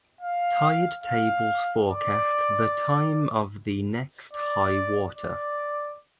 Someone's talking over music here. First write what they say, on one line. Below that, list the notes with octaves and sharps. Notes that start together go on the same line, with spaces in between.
Tide tables forecast the time of the next high water.
F5
F5
D5
D5
D5